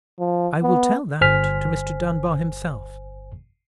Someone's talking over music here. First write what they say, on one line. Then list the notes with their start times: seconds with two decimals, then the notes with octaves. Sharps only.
"I will tell that to Mr. Dunbar himself."
0.19 F3
0.63 B3
1.21 G1 C5 G#5 F6 B6